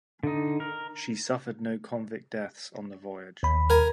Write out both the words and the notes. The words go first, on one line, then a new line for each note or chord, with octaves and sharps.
She suffered no convict deaths on the voyage.
D3 D#4
A#4
D#2 B5
A#4 G#5